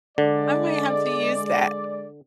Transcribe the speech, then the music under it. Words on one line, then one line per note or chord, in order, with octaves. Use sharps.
I might have to use that.
D3 G#3 D5